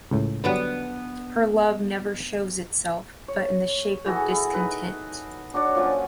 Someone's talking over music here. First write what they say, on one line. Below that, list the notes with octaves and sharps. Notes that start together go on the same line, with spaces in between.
Her love never shows itself but in the shape of discontent.
C#2 A2
D3 F#3 G3 B3 D4 B4
C#5
E3 F#4 G#4 A4
E4
D#4 B4
D4 F#4 C#5 D5
A#2 F3 F#3 C#4